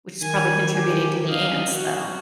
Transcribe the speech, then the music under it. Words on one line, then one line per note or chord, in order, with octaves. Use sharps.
which is probably contributing to the ants, though.
D#3 G#5
G4
D#5 F5
F#4